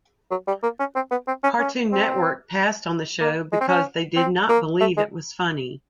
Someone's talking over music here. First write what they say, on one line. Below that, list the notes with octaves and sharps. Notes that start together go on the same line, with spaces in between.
Cartoon Network passed on the show because they did not believe it was funny.
F#3
G3
A#3
C#4
C4
B3
C4
C#4
C#4
C4
A#3
G#3
C4
C#4
C4
A#3
A3
G#3